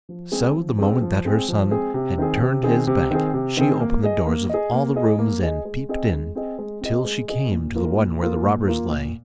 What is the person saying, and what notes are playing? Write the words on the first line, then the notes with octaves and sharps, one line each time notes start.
So the moment that her son had turned his back, she opened the doors of all the rooms, and peeped in, till she came to the one where the robbers lay.
F3
G#3 C4 G#4
F3
G#3 C4 G#4
F3
G#3 C4 G#4
F3
G#3 C4 G#4
C3
D#3 C4 G#4
C3
D#3 C4 G#4
C3
D#3 C4 G#4
C3
D#3 C4 G#4
A#3
G#4 D#5
A#3
G#4 D#5
A#3
G#4 D#5
A#3
G#4 D#5
G#3
C4 G#4 D#5
G#3
C4 G#4 D#5
G#3
C4 G#4 D#5
G#3
C4 G#4 D#5
A#2
A#3 F4 A#4
A#2
A#3 F4 A#4
A#2
A#3 F4 A#4
A#2